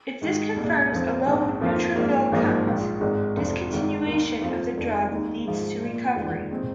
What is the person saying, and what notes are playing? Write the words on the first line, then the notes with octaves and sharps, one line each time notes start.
If this confirms a low neutrophil count, discontinuation of the drug leads to recovery.
G#2 D#3 G#3
C2 A#2 G#3
F2 F3 C4
A#1 G#2 G#3 C4
F2 F3 A#3 F4
G#1 G#2 F3 A#3
G#1 G#2 F3 A#3 D#4
A#1 A#2 G#3 F4
G#1 G#2 G#3
F1 F2 C3 F3
G#1 G#2 D#3
D#2 D#3 A#3 D#4
F2 F3 C4 F4
F1 F2 D#3
D#2 D#3 G#3 D#4
G#2 F3 G#3
A#2 A#3 F4
F1 D#2 D#3 G#3 F4
D#3 G#3 C4 D#4